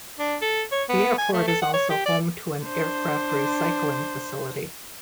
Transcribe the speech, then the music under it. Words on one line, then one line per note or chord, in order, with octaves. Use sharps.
The airport is also home to an aircraft recycling facility.
D4
A4
C#5
B3
G#5
A3
A4
F#5
C#5
G4
D5
D4 C5